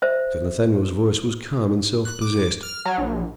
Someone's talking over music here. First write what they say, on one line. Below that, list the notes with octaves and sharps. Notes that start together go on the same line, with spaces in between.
Sir Nathaniel's voice was calm and self-possessed.
C5 E5
F#6
D6
F6
F#3
A#1